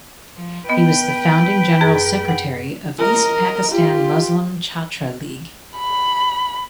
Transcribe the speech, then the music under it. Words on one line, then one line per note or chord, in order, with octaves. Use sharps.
He was the founding general secretary of East Pakistan Muslim Chhatra League.
F3
B3 B4 D#5 G5
F#2 G#4 A6
F#5
A#4 D#5
F4 G4
B5